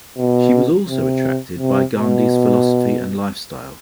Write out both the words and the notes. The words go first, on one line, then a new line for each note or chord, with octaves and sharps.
She was also attracted by Gandhi's philosophy and lifestyle.
B2
C3
C3
B2